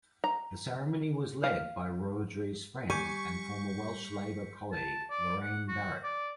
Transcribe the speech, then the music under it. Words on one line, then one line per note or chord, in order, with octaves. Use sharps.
The ceremony was led by Rhodri's friend and former Welsh Labour colleague Lorraine Barrett.
A#5
F5
G3 G#5 C#6 G6 B6 C#7
A5
D5
F#5
F#4
D5